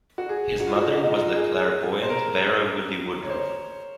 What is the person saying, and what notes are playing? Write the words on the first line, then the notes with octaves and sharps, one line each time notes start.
His mother was the clairvoyant Vera "Woody" Woodruff.
F#4
G#4
F#4
F4
F#4
D#4
D#4
F4
D#4
G#4
C5
A#4
C#5
C5